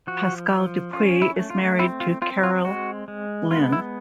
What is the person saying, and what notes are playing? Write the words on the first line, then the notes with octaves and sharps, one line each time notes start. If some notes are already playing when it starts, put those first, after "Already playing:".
Pascal Dupuis is married to Carole-Lyne.
F3 F#4
F3
C#4 F4
E4
A3
F4
C4 E4
F4
C4 F4
F4
G#3 F#4
G#3
B3 F4
E4